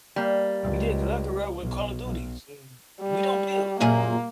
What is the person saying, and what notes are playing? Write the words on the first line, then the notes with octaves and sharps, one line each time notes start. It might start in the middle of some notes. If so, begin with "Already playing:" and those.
Yeah, 'cause I grew up with Call of Duties, and, we don't build.
G3 A#3
C#2
B1
B1
G3
F#2 A#2 A#3 G#4